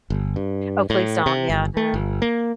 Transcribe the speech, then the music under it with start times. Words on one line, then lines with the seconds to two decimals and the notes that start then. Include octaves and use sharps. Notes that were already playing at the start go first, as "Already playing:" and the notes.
Oh, please don't, yeah, no.
0.10 G1
0.36 G2
0.90 A2
1.26 C3
1.50 G1
1.77 A3
1.94 G1
2.22 A#3